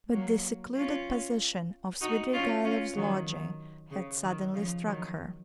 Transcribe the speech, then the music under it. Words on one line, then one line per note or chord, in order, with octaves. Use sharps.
But the secluded position of Svidrigailov's lodging had suddenly struck her.
F#3 A#3
C#4 F4
D#4 F#4
C#4 F4
C#4 F4
D#3 F#3
D#3
C#3
D#3
C#3 F3
D#3 F#3